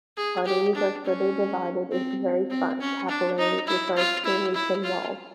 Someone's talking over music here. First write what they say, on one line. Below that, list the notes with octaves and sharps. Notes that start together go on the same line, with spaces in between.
Arteries are further divided into very fine capillaries which are extremely thin-walled.
G#4
G4
D4
C#4
C4
C4
C#4
D4
D#4
E4
F4
E4
E4
F4